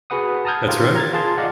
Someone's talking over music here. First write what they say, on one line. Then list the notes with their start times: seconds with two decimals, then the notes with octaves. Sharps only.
that's right.
0.10 F#4 G#4 B4 F#5 D#6
0.45 A5 A#5 D#6 F6 G6 G#6
0.67 D#3 F4 G4 A#4
0.96 A#5 G#6 A6
1.13 F4 G#4 A5 C6
1.37 F4 G#4 D5 D#5 F5 F#5